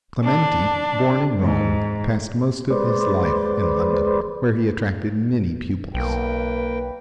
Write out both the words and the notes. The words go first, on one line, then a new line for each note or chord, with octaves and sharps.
Clementi, born in Rome, passed most of his life in London, where he attracted many pupils.
D4
G#2
G#3 B4 C5 D5
B1 A#3 B4 G5